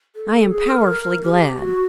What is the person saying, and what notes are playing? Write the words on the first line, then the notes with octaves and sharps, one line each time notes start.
I am powerfully glad.
A4
A4
G#4
A#4
A4
A#4
G4
G#4
G4
F#4